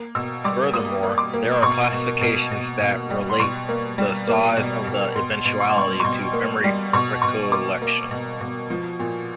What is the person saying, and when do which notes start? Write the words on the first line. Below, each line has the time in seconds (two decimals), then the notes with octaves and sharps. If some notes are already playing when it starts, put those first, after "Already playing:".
Furthermore, there are classifications that relate the size of the eventuality to memory recollection.
Already playing: A#3
0.15 B2 E6
0.44 G3 D6
0.74 A#3 D#6
1.03 A#3
1.18 D6
1.34 A#3
1.62 B2 C#6
1.92 B2
2.21 B2
2.51 B2
2.80 B2
3.10 G3
3.30 C6
3.40 B2 C#6
3.69 A#3
3.98 G3
4.28 A#3
4.57 B2
4.87 B2
5.15 B2 C6
5.45 B2
5.60 C#6
5.69 C6
5.76 G3 C#6
6.00 C#6
6.04 B2 C6
6.33 A#3
6.64 G3
6.93 B2 C#6
7.22 B2 C#6
7.51 A#3 D6
7.82 A#3
8.11 B2
8.41 B2
8.70 F3
9.00 A#2